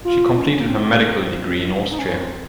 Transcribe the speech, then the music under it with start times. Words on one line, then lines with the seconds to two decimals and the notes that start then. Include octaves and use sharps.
She completed her medical degree in Austria.
0.05 F4
0.37 C#4
0.60 A#3
0.69 C4
1.92 D#4
1.99 C#4
2.20 C4